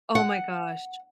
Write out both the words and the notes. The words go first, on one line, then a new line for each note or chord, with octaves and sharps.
Oh my gosh.
F#5